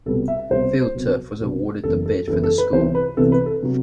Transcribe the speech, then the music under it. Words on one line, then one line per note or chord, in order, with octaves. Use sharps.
FieldTurf was awarded the bid for the school.
C2 B2 G3 B3 A4
E5
C2 B2 G3 B3 C5
C2 B2 F#3 B3
C2 B2 F#3 B3
F#1 F#2 E3 B3 A4
A4
F#1 F#2 E3 B3 A4
A4
B4
C2 C3 E3 B3 C5
B4
C2 C3 E3 B3 A4
B4
A4
C3 F#3 B3